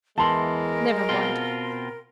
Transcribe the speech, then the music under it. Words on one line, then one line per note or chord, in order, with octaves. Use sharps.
Never mind.
E2 E3 G#3 A#4 A5 C6
B2 C4 F4